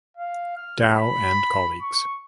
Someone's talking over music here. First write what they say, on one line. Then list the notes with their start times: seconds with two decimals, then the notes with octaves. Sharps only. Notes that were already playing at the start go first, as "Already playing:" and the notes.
Dow and colleagues.
0.17 F5
0.57 F6
0.95 B5
1.82 C#6